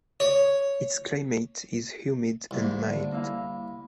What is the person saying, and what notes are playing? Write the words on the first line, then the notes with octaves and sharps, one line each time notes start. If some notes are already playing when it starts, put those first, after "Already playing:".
Its climate is humid and mild.
C#5
C2 E3 A#3
D3
A#3 E4 E5 F5 B5